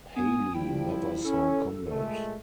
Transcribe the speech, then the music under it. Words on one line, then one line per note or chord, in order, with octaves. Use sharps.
Hawley never saw combat.
B3 G#5 D#6
F3 G3 E4 G5
C#4 A4
A#2 G#3 A3